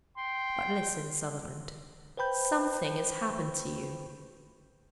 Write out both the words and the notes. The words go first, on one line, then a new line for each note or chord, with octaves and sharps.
But listen, Sutherland. Something has happened to you.
G5 C6
B4 C5 G5 B5 G6